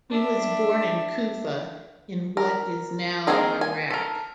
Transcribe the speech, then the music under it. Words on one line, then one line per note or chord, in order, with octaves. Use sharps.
He was born in Kufa in what is now Iraq.
D4 E5
A#4
D#3 A#3 C4 G#4 A#4
G#5
A4 A#4